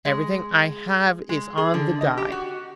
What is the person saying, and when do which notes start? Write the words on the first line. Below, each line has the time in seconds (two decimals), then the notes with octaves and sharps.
Everything I have is on the die.
0.05 G#3
1.29 G#3
1.58 G#4
1.74 D3
2.01 D#5
2.17 G4
2.32 F#4